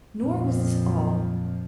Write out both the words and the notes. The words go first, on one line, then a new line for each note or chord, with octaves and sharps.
Nor was this all.
F2 A#2